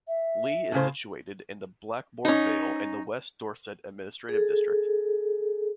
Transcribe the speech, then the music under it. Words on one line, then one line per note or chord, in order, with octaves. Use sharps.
Leigh is situated in the Blackmore Vale in the West Dorset administrative district.
E5
A2 C#3 C5
C#4 D#4
G#4 A4